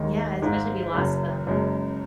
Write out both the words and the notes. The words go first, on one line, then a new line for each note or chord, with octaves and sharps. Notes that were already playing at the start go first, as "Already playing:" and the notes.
Yeah, especially if you lost them.
Already playing: D#2 D#3 G#3 D#4
G#1 G#2 G#3
F#1 F#2 C#3
F#1 F#2 C#3 G#3